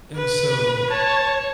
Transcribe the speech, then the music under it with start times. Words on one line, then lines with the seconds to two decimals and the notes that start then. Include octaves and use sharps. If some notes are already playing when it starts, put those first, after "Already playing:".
and so
0.16 B4
0.91 C#5 A5